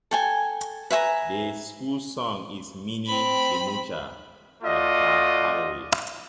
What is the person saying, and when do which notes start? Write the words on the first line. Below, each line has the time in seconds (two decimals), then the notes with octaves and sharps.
The school song is "Minnie the Moocher" by Cab Calloway.
0.11 A4 G5 G#5
0.91 B4 E5 G#5 A#5
3.07 C4 B5
4.63 A3 F4 F#4 D5 D#5